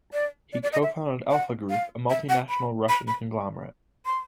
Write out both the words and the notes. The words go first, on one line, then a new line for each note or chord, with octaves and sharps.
He co-founded Alfa-Group, a multinational Russian conglomerate.
D5
D5
D5
D#5
E5
F#5
F5
E5
F#5
B5
B5
B5
C6